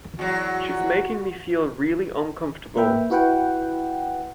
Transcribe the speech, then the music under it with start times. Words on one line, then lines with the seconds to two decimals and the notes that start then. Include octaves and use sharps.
She’s making me feel really uncomfortable.
0.19 E2 F#3 F#4
2.77 A#3 B4 E5 G5
3.10 E4 F#4 B4 F#5 G5